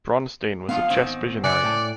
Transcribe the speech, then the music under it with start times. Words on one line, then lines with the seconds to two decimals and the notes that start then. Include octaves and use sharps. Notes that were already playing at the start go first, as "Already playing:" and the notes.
Bronstein was a chess visionary.
0.69 F3 G#3 B3 F5
0.90 G#2 D#3 C4
1.44 C#3 D5 G#5 F#6 C#7
1.64 A2 G5 A5